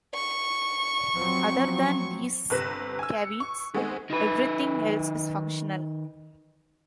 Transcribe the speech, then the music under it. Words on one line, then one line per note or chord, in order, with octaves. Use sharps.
Other than these caveats, everything else is functional.
C#6
F3 F#3 C4
G1 C3 B4 F#6 A#6 E7
G#5 E6
C#7
C#6
D#3 G#3 A3 B3 C4 G#4
D#3 B4